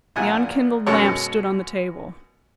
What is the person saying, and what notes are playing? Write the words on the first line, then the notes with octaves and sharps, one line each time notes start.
The unkindled lamp stood on the table.
A#1 A#2 E4 F#5 G#5
F#2 B2 G#3 A4 C#5